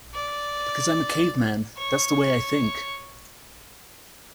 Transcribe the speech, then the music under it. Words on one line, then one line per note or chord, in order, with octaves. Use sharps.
Because I'm a caveman -- that's the way I think.
D5
C#5